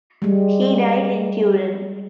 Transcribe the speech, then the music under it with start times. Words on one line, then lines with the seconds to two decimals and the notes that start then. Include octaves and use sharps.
He died in Turin.
0.22 G3 G#3